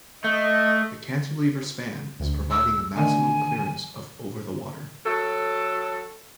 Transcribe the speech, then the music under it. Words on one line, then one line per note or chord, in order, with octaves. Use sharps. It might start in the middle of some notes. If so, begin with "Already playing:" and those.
The cantilever span is providing a maximum clearance of over the water.
A3 D#5
D2
E6
D3 D#3 A3 G#5
F#3 A4